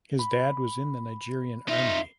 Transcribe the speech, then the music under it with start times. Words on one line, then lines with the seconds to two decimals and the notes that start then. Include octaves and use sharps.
His dad was in the Nigerian Army.
0.19 B5
1.68 D#4 F4 E5